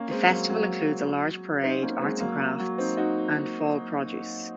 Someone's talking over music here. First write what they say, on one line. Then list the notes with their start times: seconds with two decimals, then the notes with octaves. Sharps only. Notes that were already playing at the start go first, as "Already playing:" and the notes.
The festival includes a large parade, arts and crafts, and Fall produce.
Already playing: A#3 C#4
0.11 G#3 C4
0.30 F#3 A#3
0.50 F#3
1.63 C4 D#4
1.83 A#3 C#4
2.02 G#3 C4
2.20 F#3 A#3
2.60 F#3
2.78 C4 D#4
2.97 D#4 F#4